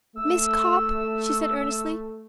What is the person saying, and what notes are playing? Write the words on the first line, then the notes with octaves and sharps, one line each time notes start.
"Miss Copp," she said earnestly.
A3 E6